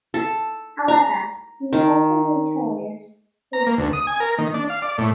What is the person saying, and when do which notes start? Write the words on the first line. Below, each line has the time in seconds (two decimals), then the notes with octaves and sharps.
However, he was also notorious for his weight problems.
0.14 A4
0.88 A#5
1.73 D#3
3.53 A#5
3.67 A#3
3.78 D2
3.93 D#6
4.07 G#5
4.20 A#4
4.38 D#3
4.54 D4
4.70 F5
4.82 D5
4.98 A2